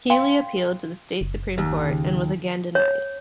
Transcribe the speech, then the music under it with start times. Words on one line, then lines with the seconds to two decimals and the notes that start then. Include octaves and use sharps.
Healy appealed to the State Supreme Court and was again denied.
0.10 F5 G5 C6
1.21 F#1
1.58 D#2
1.90 C#3
2.75 C#5